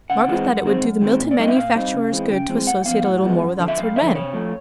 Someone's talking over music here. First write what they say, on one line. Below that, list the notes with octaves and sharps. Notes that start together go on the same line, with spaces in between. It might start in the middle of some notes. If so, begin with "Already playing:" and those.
Margaret thought it would do the Milton manufacturers good to associate a little more with Oxford men.
C#3 F#5
E3 G#3 C4
F#2
D#3 G#3 C4
F#2
D#3 G#3 C4
A#2
D5
G3 C4 D#4 D#5
E5
A#2 F5
G3 C4 D#4
C#3
E3 G#3 C4
C#3 G5
E3 G#3 C4
A2 F#5
F3 G#3 B3 F5
A2 F#5
F3 G#3 B3
F#2
D3 F3
E5
F#2 F5
D3 E5
F3
C3 C#5
F3 A3